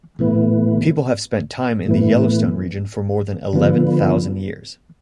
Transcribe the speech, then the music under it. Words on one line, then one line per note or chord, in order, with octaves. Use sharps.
People have spent time in the Yellowstone region for more than eleven-thousand years.
A2 E3 B3
A2 E3 B3
D3 F3 B3